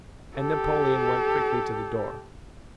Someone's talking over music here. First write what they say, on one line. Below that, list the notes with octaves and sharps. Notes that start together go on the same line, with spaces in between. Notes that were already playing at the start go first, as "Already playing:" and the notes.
And Napoleon went quickly to the door.
G4 A4